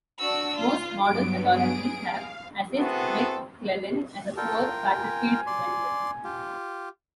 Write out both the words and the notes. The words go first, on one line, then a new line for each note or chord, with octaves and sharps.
Most modern authorities have assessed McClellan as a poor battlefield general.
D4 F#4 E6
F4
G2 F#3 B3 D7
G#4 D7
F5
B3 C4 E4 F#4 G#4 A4
F4 A4 A#4 G5
G#5
D5 C6
F4 G4